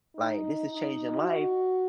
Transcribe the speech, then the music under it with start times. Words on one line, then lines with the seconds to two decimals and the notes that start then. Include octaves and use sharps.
like, this is changing life,
0.15 D#4
0.67 D#4
1.18 F#4